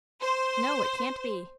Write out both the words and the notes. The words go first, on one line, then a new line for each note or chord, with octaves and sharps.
No; it can't be!
C5